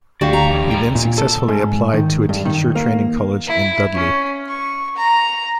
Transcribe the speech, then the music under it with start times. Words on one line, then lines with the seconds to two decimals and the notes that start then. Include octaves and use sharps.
He then successfully applied to a teacher training college in Dudley.
0.21 D2 D4 F#4 G4 D5 F5 G5
0.33 A#5
0.51 A2 E3
0.70 G#3 G5
0.95 A#2
1.18 A4
1.48 G#2
1.93 D#3
2.29 G2
2.45 D#3
2.75 A#3
3.47 E4
3.95 C#4
4.48 C#6
4.96 A#5